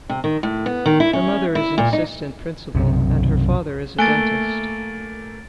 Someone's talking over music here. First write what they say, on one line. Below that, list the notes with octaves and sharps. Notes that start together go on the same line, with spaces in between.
Her mother is an assistant principal and her father is a dentist.
C3
D#3
A2
B3
D#3
E4
C#4
E4
A#2
D#4
B1 F#2 C3
A3 A#3 G#5 F#6 A6 D7 G7